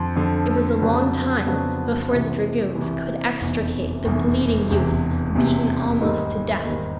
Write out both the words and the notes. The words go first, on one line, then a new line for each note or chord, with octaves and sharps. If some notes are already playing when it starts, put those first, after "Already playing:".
It was a long time before the dragoons could extricate the bleeding youth, beaten almost to death.
Already playing: F2 D3 F3
F2 D3 F3
F2 C#3 F#3 B3 D4
F2 C#3 F#3 B3 D4
C2 C3 E3
C2 C3 E3
F1 E2 B2
F1 E2 B2
E1 E2 C3
E1 E2 C3
G#2 D#3 G3 A#3 D#4
G#2 D#3 G3 A#3 D#4